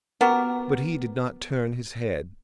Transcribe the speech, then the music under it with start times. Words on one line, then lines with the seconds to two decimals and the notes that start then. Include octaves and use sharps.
But he did not turn his head.
0.21 B3 F#4 G4 A#4